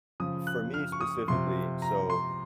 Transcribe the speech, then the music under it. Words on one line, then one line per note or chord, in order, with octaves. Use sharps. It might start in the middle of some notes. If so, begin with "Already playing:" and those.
for me specifically, so
C#3 F3 D#6
F#6
F6
C#6
D#6
C3 F3 C6
A#5
C6